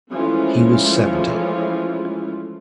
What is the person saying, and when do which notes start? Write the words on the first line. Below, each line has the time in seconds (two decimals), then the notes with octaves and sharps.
He was seventy.
0.12 E3 F3 G#3 A3 C#4 F4